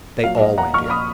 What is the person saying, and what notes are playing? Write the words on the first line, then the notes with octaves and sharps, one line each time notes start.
They all went in.
A#2 F#3 F5
D#5
F#5 A#5
A#2 F3 C#6 F6
B5 D#6